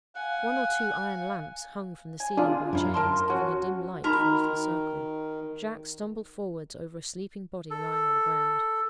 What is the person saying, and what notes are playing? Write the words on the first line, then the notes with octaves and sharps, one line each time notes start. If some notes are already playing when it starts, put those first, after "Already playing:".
One or two iron lamps hung from the ceiling by chains, giving a dim light for a little circle. Jacques stumbled forwards over a sleeping body lying on the ground.
F5 F#5 G#5
G#5
D4 F4 G#4
F#2 E4 F4 A#5
A#4 A5 C6
C#4 F#4
D#3 D#4 F#4 A#4 B5
A4